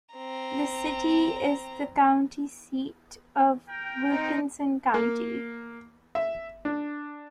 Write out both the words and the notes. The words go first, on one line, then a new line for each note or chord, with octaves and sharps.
The city is the county seat of Wilkinson County.
C4 A#5
A#4 G5
C4 D#4
A#3
E5
D4